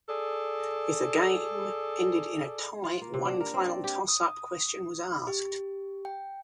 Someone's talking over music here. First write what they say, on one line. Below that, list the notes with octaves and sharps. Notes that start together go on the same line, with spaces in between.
If the game ended in a tie, one final toss-up question was asked.
G#4 A4 D5
F4
A#3
C3
D4
A#4
C4
D5
G4
D#6
G4
G5